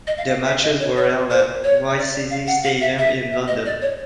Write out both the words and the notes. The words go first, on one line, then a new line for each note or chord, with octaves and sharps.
The matches were held at White City Stadium in London.
D#5
F5
F5
E5
D#5
C#5
C#5
C5
C#5
D5
F5
F#5
F5
E5
E5
E5
D#5
D5
C#5